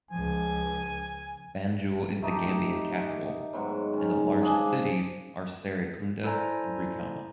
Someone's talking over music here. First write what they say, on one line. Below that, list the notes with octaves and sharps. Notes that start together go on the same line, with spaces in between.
Banjul is the Gambian capital, and the largest cities are Serekunda and Brikama.
C#2 F3 G#5
A3 D#4 G4
G#2 B2 D#3 F#3
D#3 C#4
F3 D4 G#4 D5
E4 A4 C5 D5 G#5 A#5